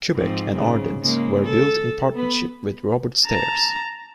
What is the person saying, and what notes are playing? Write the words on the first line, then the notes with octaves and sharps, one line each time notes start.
"Quebec" and "Ardent" were built in partnership with Robert Stares.
G#2 F3 C4
G#2 C#3
C#3 G#3 A#3
A4
B3 B4
A5 A#5